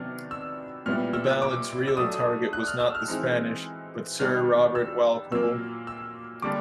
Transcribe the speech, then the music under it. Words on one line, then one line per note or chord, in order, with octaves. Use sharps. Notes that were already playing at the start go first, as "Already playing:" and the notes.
The ballad's real target was not the Spanish but Sir Robert Walpole.
Already playing: C3 D#3 F#3 B3 D4 F6
E6
A#2 G3 B3 E4 F6
E6
D6
E6
F#3 A3 D4 D#6
F#6
F6
E6
F6
E3 G#3 C4 D#4
D#3 G3 B3 D4 F6
E6
A#2 F#3 A#3 E6
E6
D3 G3 A#3 D4 D6